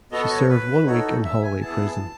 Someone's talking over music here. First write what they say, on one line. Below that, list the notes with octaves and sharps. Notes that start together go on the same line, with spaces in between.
She served one week in Holloway Prison.
B3 F#4 A4 D#5
C#5
B4
D#4 F#4 A4 C#5
E5
G#5
B3 E4 G#4 A5